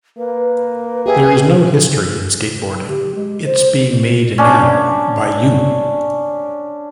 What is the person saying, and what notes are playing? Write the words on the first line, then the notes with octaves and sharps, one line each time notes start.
There is no history in Skateboarding-its being made now-by you.
A#3 B4
G4 G#4 E5
F#3
G4
G#3
C5
C#4 D4